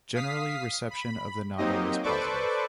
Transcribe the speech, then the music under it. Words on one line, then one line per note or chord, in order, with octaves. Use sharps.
Generally reception of the novel was positive.
F5 D#6 B6 C7
B5
F#3 A#3 C4 D#4 G4 D#5
A4 B4 C5 D5 C#6 D6